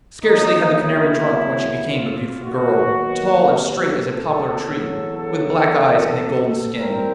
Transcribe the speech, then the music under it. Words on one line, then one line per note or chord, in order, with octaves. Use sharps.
Scarcely had the canary drunk when she became a beautiful girl, tall and straight as a poplar tree, with black eyes and a golden skin.
D#2 C#3 F#3 B3 D#4
E4
F4
D#2 D#3 F#3 B3 F#4
G4
A4
E2 C#3 F#3
A4
G#2 E3 G3 C4 A#4